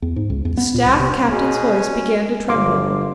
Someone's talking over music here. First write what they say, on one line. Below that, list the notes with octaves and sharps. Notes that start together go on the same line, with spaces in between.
The staff captain's voice began to tremble.
E2
G#2
C#2
E2
B3
A#2
C2
C3
B2 C#4 G#4
G1 F5 C6 D6